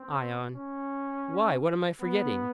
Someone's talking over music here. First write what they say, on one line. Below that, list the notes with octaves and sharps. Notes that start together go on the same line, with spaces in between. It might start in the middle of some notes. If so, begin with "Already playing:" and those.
ION: Why, what am I forgetting?
Already playing: C4
C#4
B3